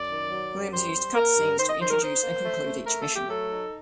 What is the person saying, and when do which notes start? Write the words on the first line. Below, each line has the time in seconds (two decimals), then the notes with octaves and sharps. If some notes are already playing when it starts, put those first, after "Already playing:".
Williams used cut scenes to introduce and conclude each mission.
Already playing: F#2 D5
0.09 D#3
0.30 F#3
0.51 F#2
0.72 G3 C5
0.94 G3
1.16 A#3 A#4
1.37 G2
1.58 D#3 C5
1.69 D#5
1.79 D#3 C5
1.91 A#4
2.01 D#4 C5
2.23 A#3
2.45 A3
2.65 A3
2.86 A3 A#4
3.00 A4
3.09 A3
3.15 G4
3.28 F#3 A4
3.51 D#4